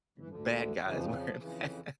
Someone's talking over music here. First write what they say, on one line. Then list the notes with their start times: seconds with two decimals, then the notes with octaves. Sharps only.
bad guys wearing masks.
0.18 E3
0.29 D2 D3 F3
0.65 E3
0.83 F2 C#3 E3 F#3
0.94 F3
1.04 E3
1.14 F3
1.37 F2 C#3 E3